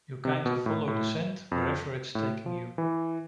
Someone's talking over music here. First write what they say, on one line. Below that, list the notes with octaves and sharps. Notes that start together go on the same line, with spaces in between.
You kind of follow the scent wherever it's taking you.
C3
B2
A2
A2
F2
A2
F3
E3